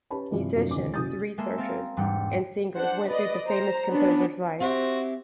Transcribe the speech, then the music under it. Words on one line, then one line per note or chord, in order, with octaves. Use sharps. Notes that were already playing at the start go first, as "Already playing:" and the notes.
Musicians, researches and singers went through the famous composer’s life.
C#4 G4 B4 C#5 A5 B5
G2 C3 E3 F3
F#2 A2 C3 F3 F#3 D4
E1 D2 D#3 C#4 D6
F#1 C#4 F#4 D#6 G6 A6
G#3 A#3 A4 E5
C4 A#4 F5 A6
E1 G#2 G3 G5 C#7
D4 C5 F#5
B4 D5 D#5
C5 A#5
B3 C#4 D4
C4 E4 F#4 G4 C5